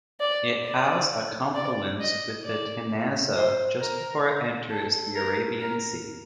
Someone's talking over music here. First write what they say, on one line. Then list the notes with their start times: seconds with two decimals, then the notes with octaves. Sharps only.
It has a confluence with the Tanasa just before it enters the Arabian Sea.
0.20 D5
0.64 D5
1.55 D5
2.00 D#5
2.44 D5
3.36 C5
3.80 A#4
4.70 A4
5.16 A#4
5.60 A#4